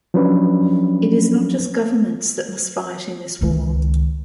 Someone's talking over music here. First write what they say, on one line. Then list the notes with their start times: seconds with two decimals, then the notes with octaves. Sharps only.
It is not just governments that must fight in this war.
0.14 F3 F#3 C#4 D4 B4
3.41 C#2 D#3